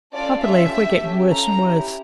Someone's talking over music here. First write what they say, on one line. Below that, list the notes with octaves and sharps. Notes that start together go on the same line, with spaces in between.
I believe we're getting worse and worse.
C#4 F4 A4 D5
A3 C#4 F4 E5
D4 G4
A3 C#4 G4
C#4 F4 A4 A#5
C#4 E4 G4